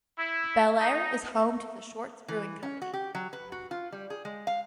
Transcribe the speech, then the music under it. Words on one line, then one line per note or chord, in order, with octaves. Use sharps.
Bellaire is home to the Short's Brewing Company.
E4
D#4
E3
C#4
F#4
G4
F#3
B4
F#4
F4
G3
G#4
G#3
F5